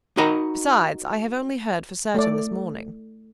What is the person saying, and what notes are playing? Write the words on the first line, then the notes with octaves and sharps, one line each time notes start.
"Besides, I have only heard for certain this morning."
D#4 F#4 A#4 D#5 A#5 B5
A3 D5